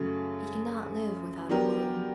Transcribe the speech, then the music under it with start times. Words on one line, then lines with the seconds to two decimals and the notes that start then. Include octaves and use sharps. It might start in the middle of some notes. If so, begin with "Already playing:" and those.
He cannot live without a world.
Already playing: F#2 C#3 F#3 A3
1.49 F#3 B3 D4 G4 A#4